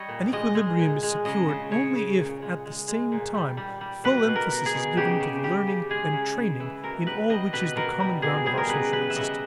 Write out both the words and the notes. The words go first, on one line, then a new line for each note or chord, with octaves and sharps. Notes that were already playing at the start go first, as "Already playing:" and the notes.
An equilibrium is secured only if at the same time full emphasis is given to the learning and training in all which is the common ground of our social existence.
Already playing: G3 C#5 D#5
A#2
G#3 D#5
G#3
A#2
G#3
C#3 D#5
C#3
C#3 C#5
C#3
A#2
G#3
G#3
G#3
A#2
G3
G3
G3
B2 B4
B2
A#4
B2
G#4
B2
C#3 G4
C#3
G3 G4
C#3
G#3 G#4
C#3
C#3
E3
B2 A#4
G3 B4
G3 D#5
B2 B4
B2 A#4
G3
B2 G#4
G3 G#4
A#4
C#3 B4
G3 B4
E5
C#3 D#5